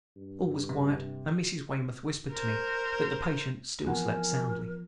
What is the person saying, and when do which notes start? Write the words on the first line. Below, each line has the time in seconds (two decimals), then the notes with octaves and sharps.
All was quiet, and Mrs. Weymouth whispered to me that the patient still slept soundly.
0.17 G2
0.69 C3
2.32 A#4 C5
3.87 E3 F3 B3 C4 A#4 F#5 G#5 F#6